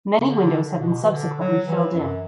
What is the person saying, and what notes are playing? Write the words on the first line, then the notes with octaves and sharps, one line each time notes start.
Many windows have been subsequently filled in.
C#3
D3
B2
E3
D3
F#3
E3
F#2